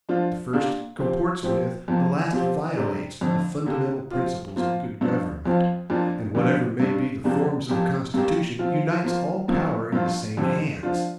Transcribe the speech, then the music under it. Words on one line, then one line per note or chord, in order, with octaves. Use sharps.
The first comports with, the last violates, the fundamental principles of good government; and, whatever may be the forms of the Constitution, unites all power in the same hands.
F3 D4 F4
A#2 A#3 D4 G4
F3 C4 G4
F3 C4 G4
F2 F3 A#3
A#2 F3 C4 G4
C3 G3 D4 G4
F2 D3 F3
D3 A#3 G4
F3 C4 F4
F3 A#3 F4
G2 F3 D4
F2 F3 C4 F4
F2 F3 A#3 D4 F4
F2 D3 G3 D4 F4
G2 G3 D4
F2 C3 A#3 D4 G4
F2 F3 A#3 G4
G2 G3 A#3 G4
F3 C4 F4
F3 A#3 F4
G2 F3 A#3
G2 F3 C4 F4
F2 D3 G3 C4 G4
F3 D4 F4